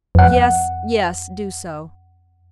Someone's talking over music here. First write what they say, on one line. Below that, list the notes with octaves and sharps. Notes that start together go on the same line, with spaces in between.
"Yes, yes, do so."
F2 F#5